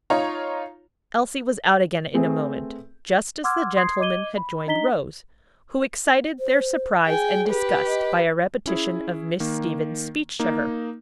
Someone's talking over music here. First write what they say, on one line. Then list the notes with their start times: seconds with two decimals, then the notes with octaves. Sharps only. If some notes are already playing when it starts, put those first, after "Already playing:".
Elsie was out again in a moment, just as the gentlemen had joined Rose, who excited their surprise and disgust by a repetition of Miss Stevens' speech to her.
0.10 D#4 F4 C#5 A#5
2.14 A3 C4 G#4 B4
3.44 F#5 C6 D6 E6 F6 G#6
3.76 C6 D#6 G#6 C7
3.99 D#5 D6 G#6 D#7 G7
4.37 B5
4.67 D4 D#4 D#5 A#5 B6 G7
6.40 C5
7.06 G#4 G5 G#5
7.47 G4 B4
7.87 D#5
8.66 C#4 E4 G#4
9.40 D#3 A#3
10.39 A#3 D#4